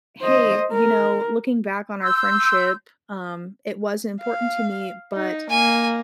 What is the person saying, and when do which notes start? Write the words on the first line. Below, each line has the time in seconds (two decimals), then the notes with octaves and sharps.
"Hey, you know, looking back on our friendship, um, it was important to me but
0.22 C5 D#5
0.72 A#4
2.01 C6 E6 G6
4.21 F5
5.14 D#4
5.50 A#3 G#5